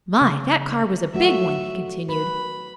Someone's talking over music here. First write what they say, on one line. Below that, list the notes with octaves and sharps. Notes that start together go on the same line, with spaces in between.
"My, that car was a big one," he continued.
C#3
F#3 A3 F#4 E5
B4 B5